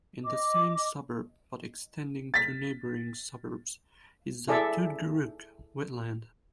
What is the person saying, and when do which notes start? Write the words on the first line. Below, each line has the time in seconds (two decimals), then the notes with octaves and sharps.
In the same suburb, but extending to neighbouring suburbs, is the Tootgarook Wetland.
0.24 D#5 D6
2.34 A6 B6
4.48 E4 G#4 A4 D5 E5